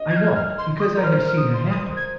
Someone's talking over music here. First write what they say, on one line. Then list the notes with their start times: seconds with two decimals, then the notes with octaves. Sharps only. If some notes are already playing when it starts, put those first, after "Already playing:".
I know, because I have seen it happen.
Already playing: D#5
0.10 G#6
0.17 F6
0.24 G#6
0.36 F6
0.58 C6
0.76 C6
0.80 D#6
0.97 A#4
1.03 C5 F6
1.20 F6
1.37 D#6
1.53 C6
1.70 D#6
1.96 G#6